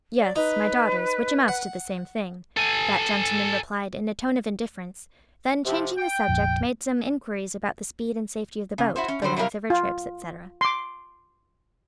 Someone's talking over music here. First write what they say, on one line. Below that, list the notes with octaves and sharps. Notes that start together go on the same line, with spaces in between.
"Yes, my daughter's, which amounts to the same thing," that gentleman replied in a tone of indifference; then changing the subject, made some inquiries about the speed and safety of the boat, the length of her trips, etc.
D5
D#4 B4
F#5
A4 G#5
C3 F3
G5
F1 A#1 F2
C#3
E4 F#4 C5
C#4
D3 E3 G3 C5
C3 G3 E4 F#4 A#4 F5
F4
C6 D6